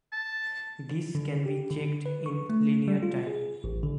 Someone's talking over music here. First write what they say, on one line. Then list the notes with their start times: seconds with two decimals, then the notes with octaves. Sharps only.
This can be checked in linear time.
0.12 A5
1.15 D3
1.46 G4
1.71 D3
2.06 B4
2.26 C#6
2.50 A3
2.88 G3
3.03 F4
3.27 G#4
3.64 A1
3.83 D3